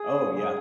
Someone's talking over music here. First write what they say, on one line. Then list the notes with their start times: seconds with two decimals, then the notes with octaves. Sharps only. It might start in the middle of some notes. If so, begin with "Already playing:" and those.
Oh, yeah.
Already playing: G#4 D#6
0.34 G#4